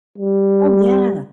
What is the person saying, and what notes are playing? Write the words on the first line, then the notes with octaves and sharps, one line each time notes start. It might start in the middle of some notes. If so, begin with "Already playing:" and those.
Oh, yeah.
G3